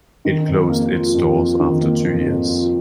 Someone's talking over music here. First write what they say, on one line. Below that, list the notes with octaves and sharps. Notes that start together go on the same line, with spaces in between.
It closed its doors after two years.
D#3
F2
A#3
F4
F2
F4
D#3
A#3
F2
F2
F4